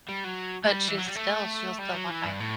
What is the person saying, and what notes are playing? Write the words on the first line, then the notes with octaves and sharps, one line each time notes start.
But she's still she'll still walk by,
G3
F#3
A3
G3
E3
F#3
G3
A3
G3
F#3
E3
G2
A2